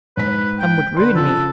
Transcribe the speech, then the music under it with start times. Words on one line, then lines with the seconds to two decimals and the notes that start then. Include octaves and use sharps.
"And would ruin me."
0.17 G#2 B4 B6
0.60 G5
0.97 D3 B4 C6
1.16 C#3 F3 A4